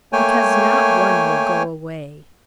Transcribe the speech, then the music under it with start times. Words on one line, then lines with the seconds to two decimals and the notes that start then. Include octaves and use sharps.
"Because not one will go away."
0.13 A3 A#3 C#5 G5 G#5